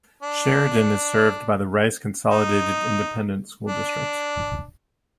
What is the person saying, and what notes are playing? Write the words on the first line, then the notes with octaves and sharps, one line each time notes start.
Sheridan is served by the Rice Consolidated Independent School District.
D4
D#4
D4